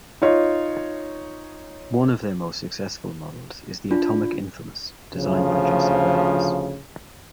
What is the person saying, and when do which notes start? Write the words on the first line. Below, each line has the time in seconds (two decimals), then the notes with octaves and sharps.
One of their most successful models is the Atomic Infamous designed by Jossi Wells.
0.22 D#4 F4 C#5
3.91 D4 F4
5.15 D2 C#3 F3